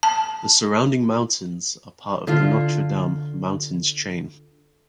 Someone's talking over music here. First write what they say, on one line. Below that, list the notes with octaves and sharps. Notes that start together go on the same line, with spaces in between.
The surrounding mountains are part of the Notre Dame Mountains chain.
A5
D3 F4